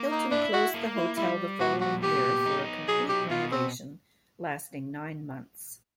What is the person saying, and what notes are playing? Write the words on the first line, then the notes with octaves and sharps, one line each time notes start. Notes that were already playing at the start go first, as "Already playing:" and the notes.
Hilton closed the hotel the following year for a complete renovation, lasting nine months.
Already playing: A#3
D#4
D4 E4
F#4
A#3
E4
G3 E4
A#2 F#4
F#4
B3 G4
D#4
F#3 G#4
G4
B2 F4
C4